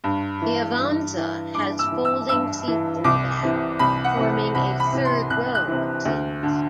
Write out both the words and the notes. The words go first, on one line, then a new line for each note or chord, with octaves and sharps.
The Avanza has folding seats in the back, forming a third row of seats.
G2
E3
G2
E3
G2 D6
E6
E3
E6
G2 E6
E3
C2 D6
C3 E3
C2 B5
F#5
C3 E3
C2 B5
B5
C3 E3
C6
C2 F#6
F#6
C3 E3
D2
D3